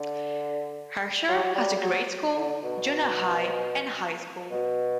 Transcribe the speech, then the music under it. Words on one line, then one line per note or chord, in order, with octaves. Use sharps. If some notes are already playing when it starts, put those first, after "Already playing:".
Herscher has a grade school, junior high, and high school.
Already playing: D3
F#3
F#3
G3
F#3
D3
B2
B2